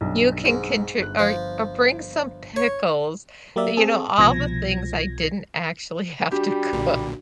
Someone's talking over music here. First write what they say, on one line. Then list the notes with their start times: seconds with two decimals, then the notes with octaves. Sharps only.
"You can contri or or, bring some pickles,” you know, all the things I didn't actually have to cook.
0.01 B1 G2
0.45 G#2
0.99 G1 F#6
1.19 F3
2.56 C#5
3.56 F#3 A#3 G4 A#4 D5 E5
3.77 C4 G#4 A4
4.18 C2 B2 F3 G#6 A#6
6.32 G3 D4 F#4 G4
6.72 B1 A#2 D3